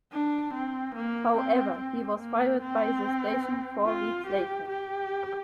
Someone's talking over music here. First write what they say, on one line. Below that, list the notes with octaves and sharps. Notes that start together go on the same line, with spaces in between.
However, he was fired by the station four weeks later.
D4
C4
A#3
C4
C4
A#3
C4
F4
G4
G4